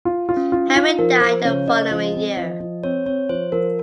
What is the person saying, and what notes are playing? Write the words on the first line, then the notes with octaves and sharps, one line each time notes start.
Harry died the following year.
F4
F4
C#4
F4
D#4
F4
F3 A#4
F3 C5
C#3 C#5
C#3 D#5
F3
C4
F3
F3
C4 C#5
C4 C#5
F3 C5
F3 A#4